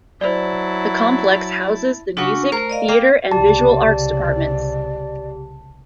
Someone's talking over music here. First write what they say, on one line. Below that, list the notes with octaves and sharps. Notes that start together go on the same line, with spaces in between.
The complex houses the music, theatre, and visual arts departments.
F#3 E4 C5 D5 A5
C#3 D4 F#4
A3 A#4 C5
D5 D#5 F5
A#3 F5 G5
C2 C#3 G4 D5 A5